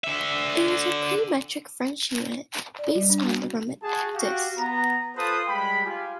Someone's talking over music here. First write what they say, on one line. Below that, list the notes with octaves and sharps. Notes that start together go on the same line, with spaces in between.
It is a pre-metric French unit based on the Roman "actus".
D3 E5
D5
G3
D4
F#4
F#4 G#4 A5
F#4 G4 F5
B3 A#5
F4 A4 B4 C5 A5 D#6
G3 G#3 G5 B5
F4 G4 G#5